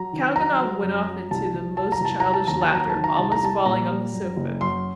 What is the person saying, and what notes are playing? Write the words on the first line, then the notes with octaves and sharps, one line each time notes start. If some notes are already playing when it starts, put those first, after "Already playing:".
Kalganov went off into the most childish laughter, almost falling on the sofa.
Already playing: F#3 A#5
D#3
F#3 A#5
F#3
F#2
F#3
C2 A5
C2
F#3 A5
A#5
C2 A5
F#3 A#5
A5
D#2 A#5
A5
F#3 A#5
A5
D#3
A#5
C2 A5
A#5
G3 A5
A#2 A#5
G3
F#2
F#1
F#2 C6